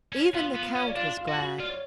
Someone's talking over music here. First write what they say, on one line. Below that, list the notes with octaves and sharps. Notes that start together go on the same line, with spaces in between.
Even the Count was glad.
C#4
B3 F4 F5
B3
C#4
D5
D4 F4 F5
F4 F5
F#4
F#4 F#5
F4 D5
C#5